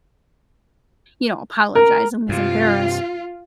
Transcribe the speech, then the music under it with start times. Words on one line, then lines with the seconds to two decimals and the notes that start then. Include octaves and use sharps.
you know, apologized and was embarrassed.
1.75 A#4
2.29 G2 C3 F4